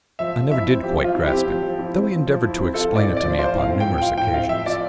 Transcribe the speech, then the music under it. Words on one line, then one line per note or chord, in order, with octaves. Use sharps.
I never did quite grasp him, though he endeavored to explain it to me upon numerous occasions.
F3 E5
F3
E4 E5
C4
F3 G4
F3
F4
E4
G4
C4
F3
F3
E4
C4
F3
F3
E4
C4
F4 A4
A2 D5
C4
D5
F3
F4 C5
A2 F5
C4
G5
F3
G5
F4 F5
A2 G5
C4 F5
F3 E5
F4 D5